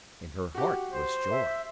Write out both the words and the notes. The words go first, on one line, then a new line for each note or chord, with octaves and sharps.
In her heart was joy.
F#4 G4
C5
E5